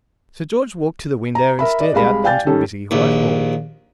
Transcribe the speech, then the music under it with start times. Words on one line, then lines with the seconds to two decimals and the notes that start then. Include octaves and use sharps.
Sir George walked to the window and stared out on to busy Whitehall.
1.35 A#5
1.59 A#4 E5 B5
1.80 D5 D#5
1.94 C2 G#3 F5 B5
2.24 D5 F5 G5 G#5 G6 A6
2.46 D#3 G3 C#4 A4
2.91 A#1 D#2